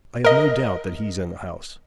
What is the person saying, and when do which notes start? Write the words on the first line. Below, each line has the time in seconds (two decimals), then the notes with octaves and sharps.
'I have no doubt that he's in the house.'
0.24 A#4 D#5